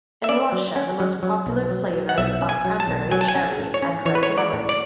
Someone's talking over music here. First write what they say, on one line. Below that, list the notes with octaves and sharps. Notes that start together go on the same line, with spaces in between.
In Russia, the most popular flavours are cranberry, cherry, and redcurrant.
E5
C#4 D5
F#3
C#4
F#3
F#3
B1
F#3
F#3
F#5
B1 E5
C#4
G#5
F#3
A5
B1
F#3 G#5
A5
G#5
C#4
A2
C#5
C#4
E3 C#5
B4
C#5
G#3
D5
A2
D5